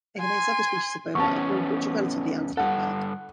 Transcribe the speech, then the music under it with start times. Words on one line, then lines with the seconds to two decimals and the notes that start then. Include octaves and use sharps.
It contains several species of bovine, all of which are relatively antelope-like.
0.18 G#5 C6
1.15 E2 B3 C#4 A5 C#6
2.57 G2 A4 F#5